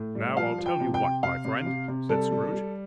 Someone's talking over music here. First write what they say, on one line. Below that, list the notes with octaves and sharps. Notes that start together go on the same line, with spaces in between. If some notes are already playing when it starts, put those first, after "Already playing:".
'Now, I'll tell you what, my friend,' said Scrooge.
Already playing: A2
G3
F3 F5
F3
G5
C3
G5
C3
C3 F5
C3
C3
C3
G3 A4
G3
G3